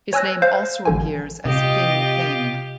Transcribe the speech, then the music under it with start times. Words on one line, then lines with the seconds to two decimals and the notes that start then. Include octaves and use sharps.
His name also appears as Tin Peng.
0.13 C#5 G#5 E6 F#6 A#6
0.42 C5 F5
0.85 A1 D3 G#5
1.45 C3 F4 G4 D#5